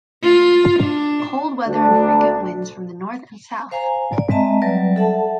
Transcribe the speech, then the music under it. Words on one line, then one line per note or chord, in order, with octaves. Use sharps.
Cold weather and frequent winds from the north and south.
F4
D4
D2 D4
C5 F5 G#5 A#5
D5
G#3 C4 D#5 E5 A5 A#5
F#3 G3 B4 D5
A4 E5 F#5 A5